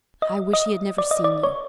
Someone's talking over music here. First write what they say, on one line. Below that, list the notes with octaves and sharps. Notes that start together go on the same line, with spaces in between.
"I wish he had never seen you."
D#5
D#5
D5
D#5
D5
C#5